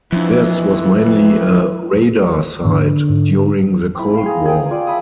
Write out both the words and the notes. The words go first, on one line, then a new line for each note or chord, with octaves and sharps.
This was mainly a radar site during the Cold War.
F2 E3 F3 D4
G#2 D3 D#3 F3
G#2
C4 E4
E4 F5 C6
G#4 A#5
G#4 G5 D#6
F4 D5
E5 A5 B5 D#6